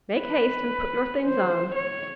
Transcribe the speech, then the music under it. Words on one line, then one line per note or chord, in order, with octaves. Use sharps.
Make haste and put your things on.'
B4
C5
C#5